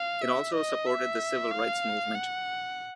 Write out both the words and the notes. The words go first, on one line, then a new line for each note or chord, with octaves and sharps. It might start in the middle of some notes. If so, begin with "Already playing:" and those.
It also supported the civil rights movement.
Already playing: F5
E5
D#5
E5
F5
F#5